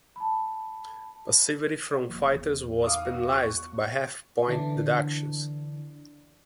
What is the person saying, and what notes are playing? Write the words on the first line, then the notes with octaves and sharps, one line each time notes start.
Passivity from fighters was penalized by half point deductions.
A5 B5
F1 F3 A#3
E2
F5 D6 D#6
F#4
C#6 F#6
D3 E3 D4